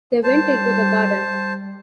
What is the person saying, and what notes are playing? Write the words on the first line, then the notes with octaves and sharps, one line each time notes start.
They went into the garden.
G3 C5 A5